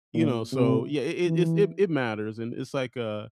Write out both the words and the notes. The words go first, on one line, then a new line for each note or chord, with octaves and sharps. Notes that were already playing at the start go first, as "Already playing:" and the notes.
you know, so yeah, it it it's it it matters, and it's like, uh,
A#2
C3
E3